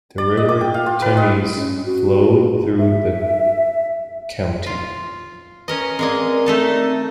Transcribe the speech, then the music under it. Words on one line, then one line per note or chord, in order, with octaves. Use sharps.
The river Temes flowed through the county.
D5
D#5
D6
G5
F5
F4
B4
D#5
C#4
F#4
E5
F4
C#4 A#4 B4 D#5
G#3 A#3 C4 A#4 D5 D#5
A3 D#4 A5